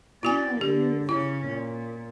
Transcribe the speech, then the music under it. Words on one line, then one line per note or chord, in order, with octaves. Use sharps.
Yeah, it is.
E4 F#4 D5 G#5
D3 G4
C#3 C#4 E4
A#2